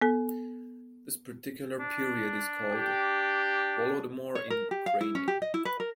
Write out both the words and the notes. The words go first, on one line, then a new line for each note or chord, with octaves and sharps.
This particular period is called "Holodomor" in Ukrainian.
B3 A4
D4
G4
C#5
A#4
G4
F5
E4
C#4
G4
D#5
E4
B4
A#4